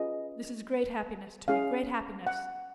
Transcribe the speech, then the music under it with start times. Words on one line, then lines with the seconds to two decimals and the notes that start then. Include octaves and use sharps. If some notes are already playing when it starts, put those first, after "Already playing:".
'This is great happiness to me, great happiness.
Already playing: C#4 F4 G#4 B4 D#5
1.48 C#4 E4 G#4 F5
2.27 F#5